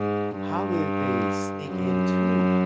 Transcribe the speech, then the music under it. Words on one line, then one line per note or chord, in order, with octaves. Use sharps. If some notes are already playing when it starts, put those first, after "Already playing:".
how do they sneak into
Already playing: G#2
G2
F#2